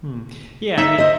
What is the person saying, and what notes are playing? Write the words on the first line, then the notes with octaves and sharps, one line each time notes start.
Hmm. Yeah, I mean
D#4 E5
C5 D#5